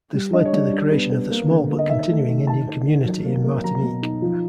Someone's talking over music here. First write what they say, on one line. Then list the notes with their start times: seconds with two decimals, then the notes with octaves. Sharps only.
This led to the creation of the small but continuing Indian community in Martinique.
0.14 G3
0.33 D4 D#5
0.45 C#5
0.53 G3 D5
0.73 D4
0.92 B3
1.12 B3
1.31 A#3
1.50 D3
1.70 A#3
1.79 D#5
1.89 D#3 E5
2.09 A3
2.28 D#3
2.47 D#3 A5
2.67 D#3
2.86 D#3
3.05 F#3
3.25 A#3
3.44 A#3
3.64 F#3 A#5
3.83 B2
4.02 D#4
4.22 F3